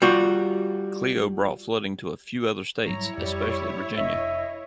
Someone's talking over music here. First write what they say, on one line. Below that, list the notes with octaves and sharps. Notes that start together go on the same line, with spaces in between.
Cleo brought flooding to a few other states, especially Virginia.
G3 F4 F#4
G#2 F#3 G3 E4 C#5 A#5
F2 G3
F1 D4 D#5 E5